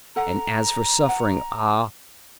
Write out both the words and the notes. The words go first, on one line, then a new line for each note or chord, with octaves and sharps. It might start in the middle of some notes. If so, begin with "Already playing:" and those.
And as for suffering--ah!
A4 F#5 A#5
F#5